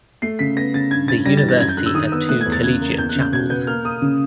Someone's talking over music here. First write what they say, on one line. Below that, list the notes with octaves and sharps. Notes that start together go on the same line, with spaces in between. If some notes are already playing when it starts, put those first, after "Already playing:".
The University has two collegiate chapels.
A3 C7
C#3 B6
B3 A#6
C#3 A6
G2 G#6
G2 A6
G3 A#6
A6
E3
A6
F#2 G#6
G6
D3 F#6
E6
D#3 D#6
B3 E6
A3 F#6
G#6
E2
A6
C#3 G#6
A#3
E2 G6
F#6
C#3
G6
B2 G#6
B3 G6
A#3 F6
A#3 D#6
C#3